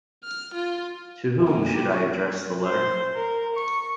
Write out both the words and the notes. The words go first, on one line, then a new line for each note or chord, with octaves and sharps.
To whom should I address the letter?
F6
F4
F#2
B3 D4 A4
A#2 A#3 F#4
E4 F4 G4
C#4 E4 C#5
C5
A#4
C#6